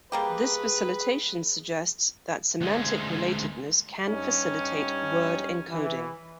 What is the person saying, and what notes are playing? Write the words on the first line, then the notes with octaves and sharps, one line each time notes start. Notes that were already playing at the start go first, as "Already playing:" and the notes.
This facilitation suggests that semantic relatedness can facilitate word encoding.
G3 A#3 G4 G#4 B4
D2 G#3
G2 G3 C#4 D#4
E3